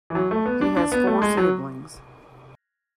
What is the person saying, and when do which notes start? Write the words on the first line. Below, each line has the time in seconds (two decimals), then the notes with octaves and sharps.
He has four siblings.
0.10 E3
0.15 F#3
0.31 A3
0.46 B3
0.61 D4
0.77 D4
0.92 B3
1.07 A3
1.22 G#3
1.37 F#3